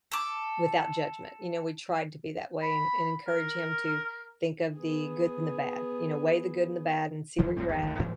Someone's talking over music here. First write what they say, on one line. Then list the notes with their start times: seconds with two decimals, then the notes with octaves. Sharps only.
without judgment, you know, we try to be that way and and encourage him to think of the good and the bad, you know, "weigh the good and the bad and see where you're at
0.12 A4 D6
2.62 B5
3.28 A#4
4.77 B3 G#4
7.38 D#2 E3 F#3 G#3
7.57 D1 A2 G3 C4
7.69 G1 E2 G2 D3
7.82 F#1 D2 D3
7.99 G#2 E3 F#3 G#3